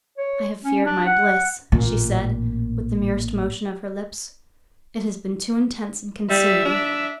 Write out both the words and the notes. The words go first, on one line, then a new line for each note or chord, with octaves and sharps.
"I have feared my bliss," she said, with the merest motion of her lips. "It has been too intense and consuming."
C#5
C#4
D4
F#5
A1 A#2
G3 E5
D4